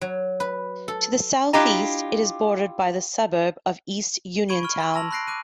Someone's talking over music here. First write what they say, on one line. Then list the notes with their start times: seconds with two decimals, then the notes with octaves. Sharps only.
To the southeast it is bordered by the suburb of East Uniontown.
0.01 F#3
0.40 B4
0.88 A4
1.53 D4 E4 F4 G4 D#5 A#5
4.48 B5 C#6 G#6 D7 D#7 G7
4.63 C#6 F6
4.80 C6
4.94 A5 E6 A#6 F7 F#7
5.11 B5 C6 F#6 A#6 C7 D7
5.27 D6 F#6 D#7